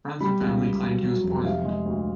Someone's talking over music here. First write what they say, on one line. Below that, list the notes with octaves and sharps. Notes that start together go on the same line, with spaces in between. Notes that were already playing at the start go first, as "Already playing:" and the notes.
Friends and family claimed he was poisoned.
G3 B5
C#2
G3
F#3
F#3
F1
C3 F5
G#3
D2